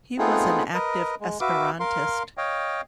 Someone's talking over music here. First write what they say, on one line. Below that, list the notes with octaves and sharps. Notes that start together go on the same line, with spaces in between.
He was an active Esperantist.
A3 B3 C4 D#4 F4 G#4
A#4 B4 D#5
G#3
F#4 B4 E5 F5 D6
A#4 F5 C6
C#5 D#5 F5 G5